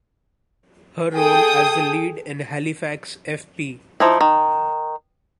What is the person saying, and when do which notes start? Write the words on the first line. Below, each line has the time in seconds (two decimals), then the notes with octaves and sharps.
Her role as the lead in Halifax f.p.
1.14 G#4 A4 G5 D#6
4.00 F3 D#4 E4
4.21 D#3